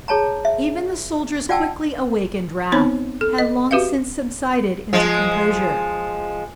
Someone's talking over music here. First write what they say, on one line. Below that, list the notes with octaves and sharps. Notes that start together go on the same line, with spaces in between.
Even the soldier's quickly awakened wrath had long since subsided into composure.
G#4 C#5 A5 A#5
E5
F4 D5 F#5 G5 A5 E6
B3 C4 D#4 C5 C#5 B5
A4
D#5
F#4 G4 B4 E5 F5
F3 G#3